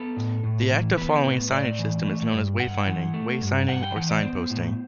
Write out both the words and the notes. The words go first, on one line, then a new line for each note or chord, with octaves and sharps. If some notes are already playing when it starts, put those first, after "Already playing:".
The act of following a signage system is known as wayfinding, waysigning or signposting.
Already playing: B3 A4
A2
A2
E3
B3 B4
A2
A2 D5
E3
A3
G2
G2 F#5
E3
A3
G2
G2 F#5
G5
E3 F#5
D5
B3 C5
A2